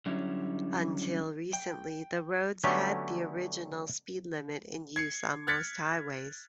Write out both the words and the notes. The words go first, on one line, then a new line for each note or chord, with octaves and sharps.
Until recently, the roads had the original speed limit in use on most highways.
D3 F#3 G3 C#4 E4
G5
D3 F#3 A3 B3 C#4 G4
G#6 C7 C#7
F6 F#6 G#6 A6 B6 C#7